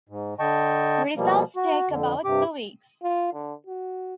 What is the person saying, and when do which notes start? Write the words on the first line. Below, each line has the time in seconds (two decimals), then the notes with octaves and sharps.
Results take about two weeks.
0.09 G#2
0.40 D3 D#5 G5 A5 C#6
1.16 B2 F3 G3 A#3
1.56 F#4
1.90 F2 D3
2.25 G2 C3 G4 D6
3.03 F4
3.33 D3
3.66 F#4